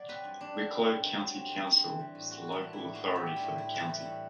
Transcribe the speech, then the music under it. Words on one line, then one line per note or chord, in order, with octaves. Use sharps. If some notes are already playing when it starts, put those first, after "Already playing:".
Wicklow County Council is the local authority for the county.
Already playing: F#3 D5
C4 B4
G2
G2 D4
F#3
C4
G2
G2
F#3
C4
G2
C4
E3
G3
A2
C4 F#4
E3
D4
G3
E4
A2
C4 F#4
E3 G4
G3
E4
A2
C4 E4
E3
E4
G3
A2 E4